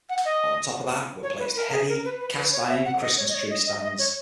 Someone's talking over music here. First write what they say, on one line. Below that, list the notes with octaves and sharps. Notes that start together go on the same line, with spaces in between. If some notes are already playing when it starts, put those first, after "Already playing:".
On top of that were placed heavy cast iron Christmas tree stands.
F#5
D#5
C#5
B4
A#4
G#4
A#4
B4
B4
B4
C#5
E5
F#5
D#5
C#5
D#5
C#5
D#5
D#5
E5
D#5
C#5